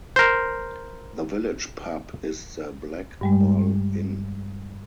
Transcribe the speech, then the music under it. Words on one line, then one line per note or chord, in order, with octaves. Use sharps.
The village pub is the Black Bull Inn.
A#4 C5
G2 G3 G#3